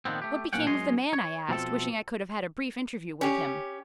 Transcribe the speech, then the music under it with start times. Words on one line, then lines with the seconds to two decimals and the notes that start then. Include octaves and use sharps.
"What became of the man?" I asked, wishing I could have had a brief interview with him.
0.05 A#2 D#3 F3 B3 C4
0.22 A3 G4
0.53 B1 A#2 A#3 C#4 F#5 G5
0.67 F#2 G#3 C#5 D#5 C6
1.13 C#5
1.49 B2 F3 C4 A4
3.21 C#4 G4